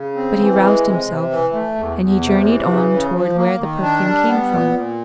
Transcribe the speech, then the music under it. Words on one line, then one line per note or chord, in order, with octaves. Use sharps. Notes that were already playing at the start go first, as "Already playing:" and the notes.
But he roused himself, and he journeyed on toward where the perfume came from.
Already playing: C#3
C4
E3
G#3
C3
C3
E3
A3
E2
E2
C3
E3
C#3
C#3
F3
A#3
D#3
D4
G3
B3
A#2
A#2